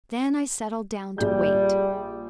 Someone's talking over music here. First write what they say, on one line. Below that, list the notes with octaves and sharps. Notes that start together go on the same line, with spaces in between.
Then I settled down to wait.
A#1 G3 G#4 G6